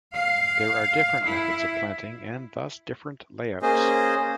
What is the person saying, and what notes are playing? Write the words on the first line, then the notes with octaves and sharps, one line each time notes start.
There are different methods of planting and thus different layouts.
F5
E4
A#3 C#4 G#4 C5 D#5